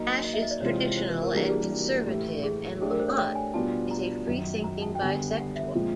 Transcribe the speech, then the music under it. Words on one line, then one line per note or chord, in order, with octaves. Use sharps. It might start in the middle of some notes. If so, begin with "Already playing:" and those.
Ash is traditional and conservative and LaMotte is a freethinking bisexual.
Already playing: F#3 A#3 D#4
D#5
E5
D#5
D5
C3 E3 G#3 C4 F4 C#5
C5
B4
A#4
E3 G3 A#3 D4 F#4 G#4
G4
G#4
A2 E3 A3 G4
G#4
A3 D4 G4 G#4
A#4
C5
C#5
G5
G#5
B2 G3 B3 D4 F4 A5
A#5
F#2 D#3 F#3
A#5
A5
G5
D3 G3 B3 G#5
F#5
E5
A#2 F3 G#3 C4